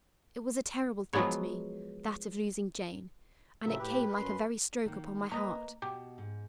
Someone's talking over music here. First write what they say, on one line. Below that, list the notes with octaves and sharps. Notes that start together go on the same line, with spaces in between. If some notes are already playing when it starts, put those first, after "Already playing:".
It was a terrible thought to me, that of losing Jane, and it came like a very stroke upon my heart.
F3 F#3 G#3 B3 C#5
A2 C#3 F#3 E5
A2 G4 B4
F#2 C6
D#3 A#3
A#3 B4 D#5 A#5
B2 G4
G#2